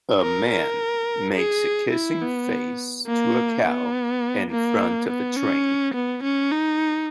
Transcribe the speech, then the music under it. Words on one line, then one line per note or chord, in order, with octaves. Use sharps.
A man makes a kissing face to a cow in front of a train.
A#4
A#4
G#4
E4
B3
A#3
B3
A#3
B3
C#4
B3
C#4
D#4